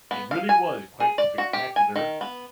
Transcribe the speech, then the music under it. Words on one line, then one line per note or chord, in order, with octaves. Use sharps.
It really was quite spectacular.
B3
F5
G#5
G#4
D5
F#4
G4
G#5
D#3
B3